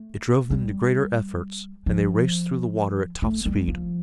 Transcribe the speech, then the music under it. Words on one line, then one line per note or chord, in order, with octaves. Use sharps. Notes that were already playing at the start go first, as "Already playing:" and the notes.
It drove them to greater efforts, and they raced through the water at top speed.
Already playing: A3
G3
F3
A3
G3
F3